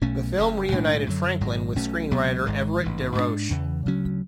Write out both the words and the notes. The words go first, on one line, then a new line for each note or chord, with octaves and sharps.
The film reunited Franklin with screenwriter Everett De Roche.
B1 B2 A3 C#4
F#1 F#2 C#3
B1 A2 G#3 D4
F#2 D3 F#3
G#1 G#2 F#3
B1 B2 A3 C#4
C#2 B2 F#3 B3
G#1 G#2 G#3
A1 G#2 E3
G#2 G#3 D4
E2 C#3 E3
D2 C#3 F#3 C#4